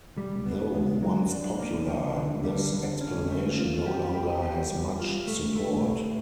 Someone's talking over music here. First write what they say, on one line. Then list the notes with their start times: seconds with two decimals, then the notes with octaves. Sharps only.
Though once popular, this explanation no longer has much support.
0.17 G3
0.46 B3
0.74 G#3
1.03 F#3
1.31 D4
1.59 A#3
1.87 F3
2.16 D3
2.44 G3
2.72 D3
3.01 C#4
3.29 A3
3.58 F4
3.86 G4
4.14 G4
4.43 G4
4.71 G3
4.99 F4
5.27 A3
5.55 A3
5.84 A2